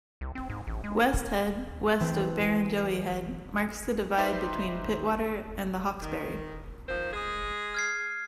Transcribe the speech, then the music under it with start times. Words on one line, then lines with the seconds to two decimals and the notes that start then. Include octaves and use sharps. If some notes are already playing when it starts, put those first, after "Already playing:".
West Head, west of Barrenjoey Head, marks the divide between Pittwater and the Hawkesbury.
0.21 C2
0.35 C4
0.50 G#2
0.67 A1
0.84 G#3
2.00 E3 A3 C4
4.18 D#4 G4 B4 C5 E5 C6
6.01 D#3
6.88 D#3 F3 C5
7.13 G#3 G#4
7.74 F6 G#6 C7